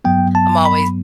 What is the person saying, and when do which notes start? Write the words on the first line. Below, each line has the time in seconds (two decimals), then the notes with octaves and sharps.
I'm always
0.05 G2 F#3 B3 G5
0.35 A5
0.65 B5